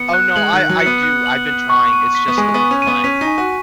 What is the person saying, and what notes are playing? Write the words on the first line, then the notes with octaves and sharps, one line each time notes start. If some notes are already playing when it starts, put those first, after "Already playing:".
Oh, no, I I do, I've been trying, it's just with my
Already playing: B3 C#7
F#6
G#3 F#7
D#3
F#6
F#3
C#7
B3
F#6
F#7
F#6
C#6
D#7
B6
B3
G#3 G#5
G#3
B3
C#6
C#4
D#7
B3
C#4 B6
D#4
G#5
F#4